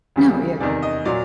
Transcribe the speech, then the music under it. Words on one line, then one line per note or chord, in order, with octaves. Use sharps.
No, yeah.
D2 C#3 E3 G3
E2 C3 D#3 D5
D#5
A#2 F#3 D5